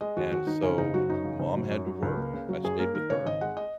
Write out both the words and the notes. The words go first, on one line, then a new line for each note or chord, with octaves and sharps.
and so mom had to work. I stayed with her
G#3 D#5
D#2 F#4
D#2 F#4
D#3 D#4
C#3 C#4
F#1 D#4
F#3 F#4
F#2 D#4
C#3
F#1
F#3
F#2
F#3
C#2
A#3
C#3
F#3
F#2 G#4
A#3 A#4
D#3 A#4
C#3 C#5
G#1 D#5
G#3 F#5
D#5